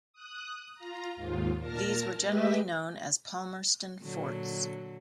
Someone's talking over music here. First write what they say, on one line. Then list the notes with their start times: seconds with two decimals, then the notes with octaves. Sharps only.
These were generally known as Palmerston Forts.
0.13 D#6 F#6
0.75 F4 A#5
1.16 D#2 G#2 F4
1.59 A#2 A#4 A5 A#5 F6
2.22 G#3 G4 B4 D#5 E5
4.01 A#2 D3 F#3